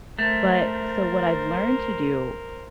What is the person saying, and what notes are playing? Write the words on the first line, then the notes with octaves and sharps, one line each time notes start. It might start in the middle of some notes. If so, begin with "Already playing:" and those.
But, so what I've learned to do,
A3 A#4 C5